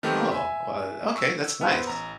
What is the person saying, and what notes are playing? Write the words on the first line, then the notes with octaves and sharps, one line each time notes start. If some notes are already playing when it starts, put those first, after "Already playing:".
Oh, uh, okay, that's nice.
D#3 A3 B3 C4 G4
E5 G#5
C#6 E6
B3 C5
A1 A#5